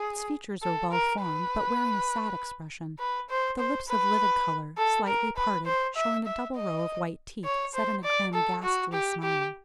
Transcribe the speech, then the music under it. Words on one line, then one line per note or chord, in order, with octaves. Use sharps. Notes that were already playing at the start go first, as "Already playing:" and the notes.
Its features are well formed, but wearing a sad expression; the lips of livid colour, slightly parted, showing a double row of white teeth, set in a grim ghastly smile.
Already playing: G#4
A4
A#4
B4
B4
C5
C5
B4
A4
A#4
B4
C5
E5
E5
D#5
C#5
C5
D5
A4
F#4
G4
G4